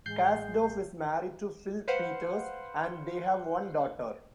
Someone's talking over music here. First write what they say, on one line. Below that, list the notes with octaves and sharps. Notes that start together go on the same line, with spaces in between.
Kasdorf is married to Phil Peters, and they have one daughter.
A1 G#3 G6 C7
B4 C5 F5 F#5